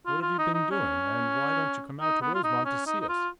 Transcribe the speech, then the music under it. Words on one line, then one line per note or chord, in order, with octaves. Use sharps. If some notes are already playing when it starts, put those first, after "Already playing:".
What have you been doing, and why don't you come out to Rosemont to see us?
F4
F4
D#4
D#4
C#4
D#4
B3
F4
D#4
C#4
D#4
D#4
F4